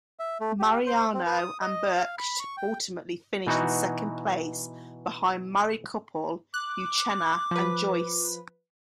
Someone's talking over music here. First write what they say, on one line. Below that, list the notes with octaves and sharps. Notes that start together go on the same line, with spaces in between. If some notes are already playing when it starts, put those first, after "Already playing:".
Mariano and Brkich ultimately finished in second place behind married couple, Uchenna and Joyce.
E5
A3
G4
C5
C4
B4
D#6
D#5
F5
B5
C#6
G5
B2 E3 D#4 F#4
D6 F#6
F3 B4